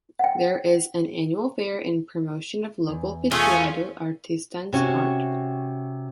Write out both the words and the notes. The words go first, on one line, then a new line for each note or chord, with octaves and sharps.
There is an annual fair in promotion of local piteado artisan's art.
F#5 G5
E2
A3 C#4 F4 G#4
C3 C#4 F#4